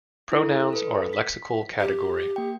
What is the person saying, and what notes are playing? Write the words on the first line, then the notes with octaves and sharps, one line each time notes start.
Pronouns are a "lexical category".
E4 A4
A4 B4
B6
G4
A#3 G5